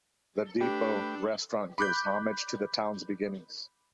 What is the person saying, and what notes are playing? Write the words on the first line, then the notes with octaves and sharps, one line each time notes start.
'The Depot' restaurant gives homage to the town's beginnings.
A3 D4 G4 B4 G5
B5 D6 F#6 G6